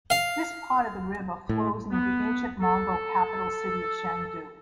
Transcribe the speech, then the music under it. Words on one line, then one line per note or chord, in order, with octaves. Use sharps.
This part of the river flows near the ancient Mongol capital city of Shangdu.
F5
A2
B3
A4